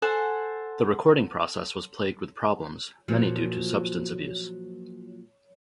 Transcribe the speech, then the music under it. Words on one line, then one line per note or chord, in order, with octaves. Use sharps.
The recording process was plagued with problems, many due to substance abuse.
A4 C5 F#5 G#5
A#2 F3 F#3